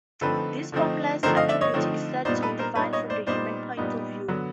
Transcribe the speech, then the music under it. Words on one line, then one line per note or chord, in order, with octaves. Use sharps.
This formless attribute is said to be defined from the human point of view.
D3 F3 A3 C4 D#4 A4 B4
D3 F3 A3 C4 D#4
D3 F3 A3 C4 D#4 A#4 C5
D#5 F5
D5 E5
C#5 D#5
D3 F3 A3 C4 D#4
A#2 G3 B3 D#4 C5 D5
A4 B4
A#4 C5
A#2 G3 B3 D#4 B4 C#5
C#5 D#5
C5 D5
A#2 G3 B3 D#4 C5 D5
A#2 G3 B3 D#4
D3 F#3 B3